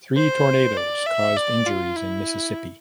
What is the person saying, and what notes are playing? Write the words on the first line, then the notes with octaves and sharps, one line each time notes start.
Three tornadoes caused injuries in Mississippi.
C5
D5
E5
D5
F4
E4